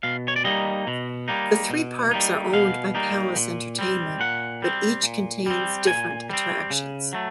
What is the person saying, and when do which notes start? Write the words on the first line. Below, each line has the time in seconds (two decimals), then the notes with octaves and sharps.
The three parks are owned by Palace Entertainment but each contains different attractions.
0.03 B2 F5
0.28 C#5
0.36 D5
0.45 G3 A#3 D#4 D#5
0.87 B2
1.28 G3 A#3 D#4
1.70 B2
2.11 G3 A#3 D#4
2.54 B2 F5
2.95 G3 A#3 D#4
3.36 A#2
3.79 G3 C4
4.20 A#2 F#5
4.62 G3 C4
5.03 A#2
5.46 G3 C4
5.87 A#2 G#5
6.30 G3 C4
6.70 C#3
7.13 F#3 A3